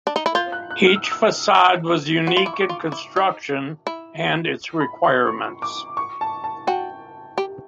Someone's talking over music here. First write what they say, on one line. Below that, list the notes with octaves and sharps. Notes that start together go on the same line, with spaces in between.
Each facade was unique in construction and its requirements.
D4
D#4
E4
F4 G6
F#6
F#6
F6
E6
D#6
E6
F#4
F4
E4 D6
C#6
D6
F4
E4
D#4
E4
B5
C6
C#6
D6
C#6
A5
A5
F#4 G5
G4